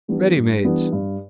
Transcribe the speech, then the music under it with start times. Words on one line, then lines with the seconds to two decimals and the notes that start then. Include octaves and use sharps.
Ready mades.
0.08 E3 G3 B3 D4
0.36 G2
0.64 E3 G3 B3 D4
0.92 G2